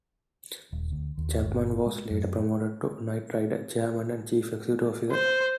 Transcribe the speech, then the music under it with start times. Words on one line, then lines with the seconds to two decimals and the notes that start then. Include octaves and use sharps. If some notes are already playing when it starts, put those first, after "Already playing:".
Chapman was later promoted to Knight-Ridder chairman and chief executive officer.
0.73 D#1
0.92 D2
1.18 D#2
1.42 G1
1.86 G#3
2.10 F#2
5.11 C5